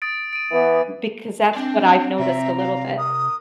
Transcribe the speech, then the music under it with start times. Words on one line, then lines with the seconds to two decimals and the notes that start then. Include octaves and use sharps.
Because that's what I've noticed a little bit.
0.02 D#6 A6 D7
0.33 D7 D#7
0.52 E3 B3
1.54 C4 D4 D5 G5
2.19 C3 E5 A#5
2.58 F5
2.98 A#4 D#6